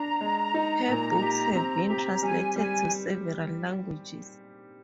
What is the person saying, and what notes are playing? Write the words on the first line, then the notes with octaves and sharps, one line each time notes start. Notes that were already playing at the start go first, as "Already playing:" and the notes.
Her books have been translated to several languages.
Already playing: D4 A#5
G#3
D#4
A#2
G4
C4
G4
G3 G#5
G3 G#5